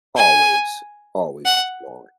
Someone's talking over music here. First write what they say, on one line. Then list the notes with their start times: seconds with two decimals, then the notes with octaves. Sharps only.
Always, always exploring.
0.16 G#5
1.45 F#5